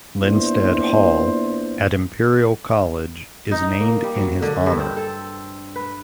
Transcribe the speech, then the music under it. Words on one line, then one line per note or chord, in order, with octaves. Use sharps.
"Linstead Hall" at Imperial College is named in his honour.
A#2 B3 D4 E4 C5
D#4
A#3
G3
F#3
D3
G2
C4
A4
B4